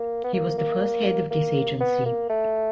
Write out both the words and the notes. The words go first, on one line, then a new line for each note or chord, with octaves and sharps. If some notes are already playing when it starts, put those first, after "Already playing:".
He was the first head of this agency.
Already playing: A#3
B3
A#3
A#3
A#3
B3
A#3
A3